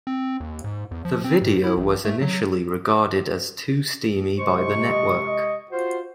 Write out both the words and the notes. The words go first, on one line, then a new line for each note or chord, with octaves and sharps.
The video was initially regarded as too steamy by the network.
C4
D#2
G#2
E2
F3
C4
G#2
E4
A1
A3
F#3
C3 G#3 C5 C#6
D#5
D#5
F4 F#4 C5